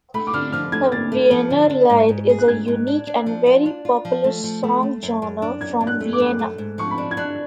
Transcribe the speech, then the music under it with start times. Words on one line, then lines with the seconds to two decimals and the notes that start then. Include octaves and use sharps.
The Wienerlied is a unique and very popular song genre from Vienna.
0.14 A3 B5
0.27 D6
0.34 D3 F6
0.52 F3 F6
0.72 A3 G#6
0.92 D2 A6
1.12 A3
1.31 F3
1.50 D3
1.70 D4
1.90 G#2
2.09 G#2
2.29 G#4
2.39 F#6
2.48 G#2 G#6
2.68 G#2
2.87 D4
3.07 D4
3.26 F3
3.46 F4
3.66 D4
3.85 F4
4.05 F3
4.24 A3
4.44 F3
4.63 A3
4.83 A3
5.03 F#2
5.22 F#2
5.42 D4
5.61 F#2 G#6
5.81 F#2
5.87 F#6
6.00 A3
6.13 D6
6.20 F#2
6.39 A3
6.58 G#2
6.78 F3 C#6
6.91 B5
6.98 D4
7.11 G#6
7.17 D4 F#6